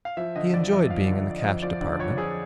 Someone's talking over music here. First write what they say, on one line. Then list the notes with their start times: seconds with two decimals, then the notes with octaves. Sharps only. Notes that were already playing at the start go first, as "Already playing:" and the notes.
He enjoyed being in the Cash Department.
0.05 F5
0.17 F3 E5
0.36 D3 D#5
0.53 F2 D5
0.72 F2 E5
0.90 F3 F5
1.08 D3
1.14 E5
1.26 F2 D5
1.38 D#5
1.45 F2
1.62 F3 D5
1.81 D3 D5
1.99 F2 C#5
2.17 F2 G#4